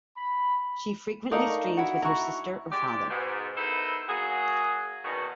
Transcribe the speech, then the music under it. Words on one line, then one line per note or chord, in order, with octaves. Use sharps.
She frequently streams with her sister or father.
B5
A3 D4 D#4 A#4 F5 C#6
E4 F#4
E4 F#4 A#5 C#6
G#3 G4 D5
G#2 B2
B3 D#4 E4 A4 A#4 C5
F#3 A#3 F#4 G#4
E2 B2 D#3 C#4 D#4 F#4